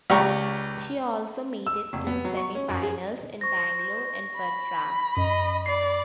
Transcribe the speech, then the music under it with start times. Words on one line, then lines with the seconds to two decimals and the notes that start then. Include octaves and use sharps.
She also made it to the semifinals in Bangalore and Patras.
0.10 C#2 G4 D5 A#5 C#6
1.67 E6
1.93 F1
2.07 B3
2.25 F#3
2.37 C#6
2.55 C#4
2.69 F#2
2.83 G#4
3.41 C5 C#6 A#6
4.36 B5
5.17 F#2 D#5
5.66 D5 C7